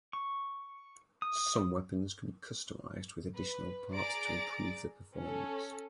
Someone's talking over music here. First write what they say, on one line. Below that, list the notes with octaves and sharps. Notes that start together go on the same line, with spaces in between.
Some weapons can be customized with additional parts to improve their performance.
C#6
D#6
B4
G#4 D5 A#5 A6 D7
C#4 A4